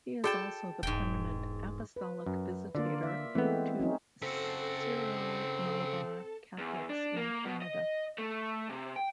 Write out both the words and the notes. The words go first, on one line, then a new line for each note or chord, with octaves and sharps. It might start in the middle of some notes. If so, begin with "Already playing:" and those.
He is also the permanent Apostolic Visitator to Syro-Malabar Catholics in Canada.
F#4 G#4 A4 D5 G5 A5
E1 G#2 G5
B4
F#2
D3 A#3 F4 D5
E5
E3 G#3 A3 B3 C4
C4 C#4 D#4
C#3 C4 F#4 A4
E2
D4
A#3
B2
D#5
A3
C3
G5